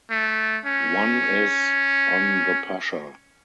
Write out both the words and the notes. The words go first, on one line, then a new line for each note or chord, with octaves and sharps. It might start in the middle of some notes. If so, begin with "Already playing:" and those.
One is "On the Pascha".
A3
C#4